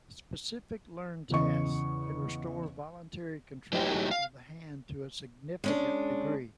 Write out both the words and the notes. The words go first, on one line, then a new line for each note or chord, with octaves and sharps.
Specific learned tasks can restore voluntary control of the hand to a significant degree.
E2 C#3 E3 D#5 C#6
F#3 A3 D#4 E4 G4
F5
G#3 C#4 D4